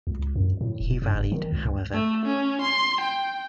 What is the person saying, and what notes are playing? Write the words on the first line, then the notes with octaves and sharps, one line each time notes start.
He rallied, however.
C#2
F#2
A2
D#1
G2
F#1
D#3
C#2
A3
C#4
C6
G5